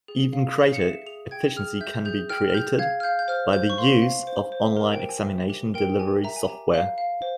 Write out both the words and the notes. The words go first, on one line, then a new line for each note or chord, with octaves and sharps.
Even greater efficiency can be created by the use of online examination delivery software.
G#4
F5
G#4
C7
C#7
E5 E7
G#4 F7
G5 G#6
G#4 F6
E5 G6
G#4 G6
G5 F6
F6
G#4 G6
F5 G#6
F6
F5 G6
G6
C5 F6
C5 G6
C#6
F5 C6
F5
C5
C5
A#4 A#5
G5
G4
G#5
E5
G4
A#4 G5
G4 G#5
E5 A#5
G#5
G4 A#5
F5
F5
C5